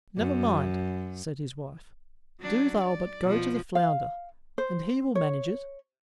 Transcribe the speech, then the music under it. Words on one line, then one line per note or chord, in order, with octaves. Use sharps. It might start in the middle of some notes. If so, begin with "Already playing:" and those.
"Never mind," said his wife; "do thou but go to the flounder, and he will manage it."
F#2
F#3 D4
D5
B2 F3
F5
C5
C#5